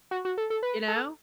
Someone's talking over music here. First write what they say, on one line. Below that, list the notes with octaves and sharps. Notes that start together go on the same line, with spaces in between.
You know?
F#4
F#4
A4
A4
B4
A4